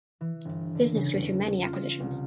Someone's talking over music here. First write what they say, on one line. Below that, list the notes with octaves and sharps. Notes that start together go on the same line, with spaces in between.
Business grew through many acquisitions.
E3
G1
D3
C#3
E2
F4
C2